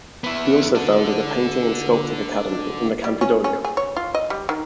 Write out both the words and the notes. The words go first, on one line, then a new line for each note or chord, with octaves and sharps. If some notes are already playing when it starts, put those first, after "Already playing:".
He also founded a painting and sculpting academy in the Campidoglio.
B3 E4
D4 A4
G3
C#4
C#4
G#4
C#5
F4
D#5
G3
D#3